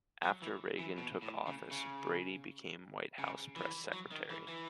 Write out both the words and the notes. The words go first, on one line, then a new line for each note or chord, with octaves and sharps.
After Reagan took office, Brady became White House Press Secretary.
F#3
E3
E3
B2
A2
C#3
C#3
C#3
E3
F#3
D#3
E3
E3